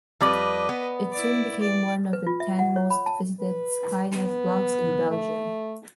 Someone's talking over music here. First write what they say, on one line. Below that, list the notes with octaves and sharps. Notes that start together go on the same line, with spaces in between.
It soon became one of the ten most visited Skynetblogs in Belgium.
F2 G3 B4 D5 D#5
B3
E4 D5
D5
B4
F4
E5
F#5
C#5
B5
A5
B4
B3
A3